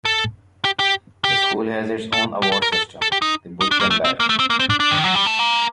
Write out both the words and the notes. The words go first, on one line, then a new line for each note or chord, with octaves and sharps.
The School has its own award system - the Buchan Badge.
A4
G4
G4
G4
A4
G4
A4
A#4
A4
A4
G4
D#4
D#4
D4
A#3
A3
C4
A#3
A3
C4
A#3
C4
D4
D4
D#3
F#3
G3
A3
A#3